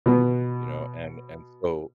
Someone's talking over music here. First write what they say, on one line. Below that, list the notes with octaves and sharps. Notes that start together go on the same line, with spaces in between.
You know, and and so
B2 B3